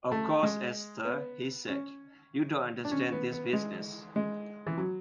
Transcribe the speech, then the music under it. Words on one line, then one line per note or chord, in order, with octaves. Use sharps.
"Of course, Esther," he said, "you don't understand this business?"
A3
G#3
B3
C#4
D4
C#4
B3
B3
G#3
G#3
E3
F#3